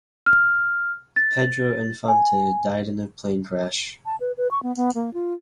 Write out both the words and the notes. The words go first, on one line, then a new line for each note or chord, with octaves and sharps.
Pedro Infante died in a plane crash.
F6
A6
G#5
A5
B4
B4
C#6
B3
B3
A#3
F4